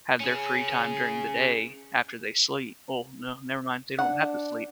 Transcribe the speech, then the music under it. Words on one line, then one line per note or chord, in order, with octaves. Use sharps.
have their free time during the day after they sleep. Oh, no never mind, they don't have to sleep.
C#4 G#4
D4 F#5